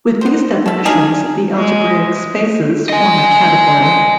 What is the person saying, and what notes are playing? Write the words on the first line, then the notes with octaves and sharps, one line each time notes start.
With these definitions, the algebraic spaces form a category.
B3 C5
E5 A5
C#3 D4 D#4 G#4
G#3
D#5 G#5